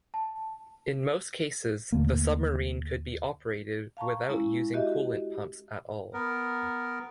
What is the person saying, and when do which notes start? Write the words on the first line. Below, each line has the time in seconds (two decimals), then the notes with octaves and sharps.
In most cases the submarine could be operated without using coolant pumps at all.
0.14 A5
1.92 D#2 D3 A3 A#3
3.97 F5 A5 A#5 C#6
4.29 G#3 C#4 E4
4.74 F#4 G4 D#5 E5
6.13 B3 A#4